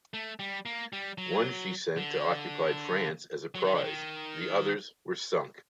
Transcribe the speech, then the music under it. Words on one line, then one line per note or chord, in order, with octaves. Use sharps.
One she sent to occupied France as a prize; the others were sunk.
A3
G3
A#3
G3
F#3
D3
F#3
D#3
D3
D#3